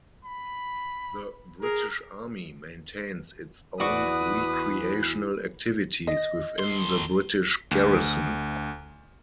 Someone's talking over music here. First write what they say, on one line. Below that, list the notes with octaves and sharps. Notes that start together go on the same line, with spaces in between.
The British Army maintains its own recreational activities within the British Garrison.
B5
G#4 A#4
E2 F#4 B4 D5 C#6 D#6
D#5
A2 C6
D2